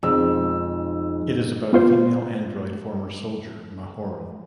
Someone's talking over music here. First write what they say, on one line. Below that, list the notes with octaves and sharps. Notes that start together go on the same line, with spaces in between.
It is about a female android former soldier, Mahoro.
B1 F2 G#3 E6
B3 F4 C5